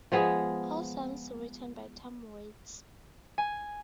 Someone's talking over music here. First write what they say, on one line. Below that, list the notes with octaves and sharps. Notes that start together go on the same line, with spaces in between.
All songs written by Tom Waits.
F3 G#3 B3 G#4
G#5